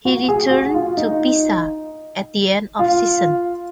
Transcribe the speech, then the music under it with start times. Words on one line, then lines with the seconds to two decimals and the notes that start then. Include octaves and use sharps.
He returned to Pisa at the end of season.
0.05 F#4
0.29 G#4
0.51 F#4
0.74 F4
0.97 D#4
2.79 F4